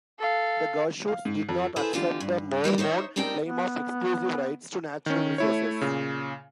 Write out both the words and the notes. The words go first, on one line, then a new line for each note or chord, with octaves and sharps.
The Goshutes did not accept the Mormon claim of exclusive rights to natural resources.
A4 F5
F5
G#2
F2
E4 G#4 A4 B4 C5 E5
B2 D3 E3 F4 G4
G2
E3 G3 G4 A#4
D#4 C5 C#5 E5
D2 G3 C4 D#4 A#4 G5
B3
D#3 C#4
A3 E4 C#5
A#2 C#3